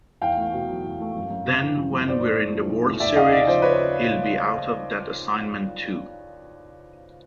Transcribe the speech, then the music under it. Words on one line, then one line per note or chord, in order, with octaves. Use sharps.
Then when we're in the World Series, he'll be out of that assignment, too.
E2 F5 G5
A3
B2
F#3
E2
A3
F#2
F#2
C#3
E3
F#2
F#2
B1 C5 D5
A3
A2
F3
B1
A3
D#2 D5 E5
D#2 D#5 F5
C#3 D5 E5
F3 C5 D5
B4 C#5